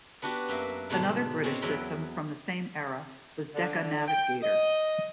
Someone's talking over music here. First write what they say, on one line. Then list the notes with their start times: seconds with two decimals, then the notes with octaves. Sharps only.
Another British system from the same era was Decca Navigator.
0.22 B3 D4 F#4 G4
0.49 F#2 A#3 E5
0.90 G#2 B2 D3 D4 C5 A5
1.44 G#3 C4 C#4
1.62 E2 F#3 E5 G5 B5 C6
3.54 D3
4.08 G5
4.43 D#5